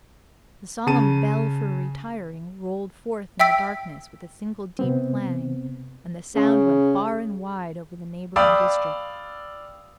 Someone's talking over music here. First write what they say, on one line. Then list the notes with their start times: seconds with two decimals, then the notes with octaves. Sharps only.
The solemn bell for retiring rolled forth in the darkness with a single deep clang, and the sound went far and wide over the neighbouring district.
0.87 C#3 A5 D#7
3.40 E5 G5 E6 B6 D7
4.79 C3 B3 C4
6.35 C#3
8.36 D5 F5 G5 B5 D#6 E6